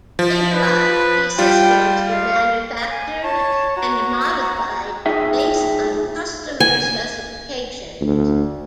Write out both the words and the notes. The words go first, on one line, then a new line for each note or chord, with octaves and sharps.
Later on, these systems were manufactured and modified based on customer specifications.
F3
B4
G3 F4 G5
F5
G#5
C#5 A5
F#4 A#5
B1 A#2 D#4 G#4 E5 G5
G#5
D2